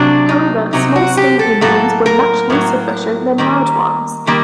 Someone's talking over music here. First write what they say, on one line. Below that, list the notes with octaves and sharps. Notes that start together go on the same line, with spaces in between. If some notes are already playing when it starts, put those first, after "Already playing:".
However, small steam engines were much less efficient than large ones.
Already playing: C3 F#3 C4 D4
D#4
C3 F#3 C4 D#4
F#4
G4
A4
A2 F#3 A#3 A4
A#4
A2 F#3 A#3
D#3 G3 A#3
D#3 G3 A#3